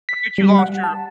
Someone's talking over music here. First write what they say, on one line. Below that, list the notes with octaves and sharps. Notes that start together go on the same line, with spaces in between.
I think you lost your,
B6
G3
F#5
A5